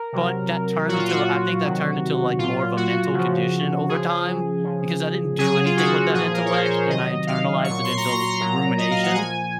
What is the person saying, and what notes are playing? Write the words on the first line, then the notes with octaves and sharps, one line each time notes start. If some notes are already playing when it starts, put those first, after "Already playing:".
But that turned into I think that turned into like more of a mental condition over time, because I didn't do anything with that intellect and I internalized it until rumination.
Already playing: A#4
C3 F#3
A#2 F#3 F#4
F4
F#4
C3 D#3 F#3
A#2 F#3 F4
F#4
C#3 F3
C#3 F3 G#4
C#3 F3
C#3 F#3 G#4
F4
F#4
A#2 F3 G#4
A#4
C#5
C5
C5
C#5
C3 D#3 F#3 D#5
F5
F#3 C#6
A#2
C6
A#5
C6
C6
A#5
A#2 F#3
D#5
F5
F#5
A#2 F3 G#5